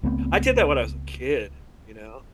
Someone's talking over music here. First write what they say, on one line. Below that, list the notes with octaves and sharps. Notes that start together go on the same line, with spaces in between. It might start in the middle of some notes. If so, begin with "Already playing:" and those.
I did that when I was a kid, you know?
C#2 A3 B3 C4